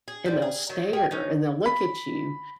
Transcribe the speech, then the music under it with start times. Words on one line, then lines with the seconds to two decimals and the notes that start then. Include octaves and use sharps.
and they'll stare, and they'll look at you.
0.08 G#4
0.26 G3 F4
0.42 G#4
0.69 D#3 F#3
0.93 G4 G#4 A#4 G5
1.11 C#4 D#4
1.66 B5